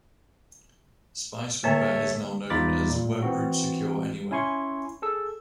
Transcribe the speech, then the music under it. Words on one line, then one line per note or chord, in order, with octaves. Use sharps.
Spy Sweeper is now known as Webroot Secure Anywhere.
D3 A#3 A4 C#5 E5
E2 D#4 F4 B5 D6 A6
A#2
E3 C4 F#4
C#4 E4 G#5 C6 C#6
G#4 A4 E6